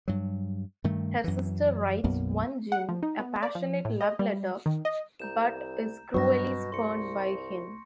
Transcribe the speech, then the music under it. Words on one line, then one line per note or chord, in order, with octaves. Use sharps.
Her sister writes Onegin a passionate love letter but is cruelly spurned by him.
G2 F#3
G2 D#3 A3
F#2 E3
B1 F#2 B2 A#3
F#5
F3
D#4
B3
D5
F3
A2
D#5
G3
D#3
D#5
C2 A#5 G6 E7
G2 B2 F#3 C#6 A#6
C2 C6 C#7